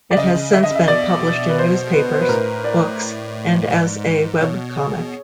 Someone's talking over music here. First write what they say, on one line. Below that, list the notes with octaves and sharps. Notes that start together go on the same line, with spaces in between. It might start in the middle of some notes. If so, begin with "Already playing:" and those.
It has since been published in newspapers, books, and as a webcomic.
D5
C#3 D#5
C#3
D3 E5
D3 D#5
C#3 E5
B2 D5
B4
C5
B4
C5
B4
A2 A#4
D5
G#2
B2 C#5
G#4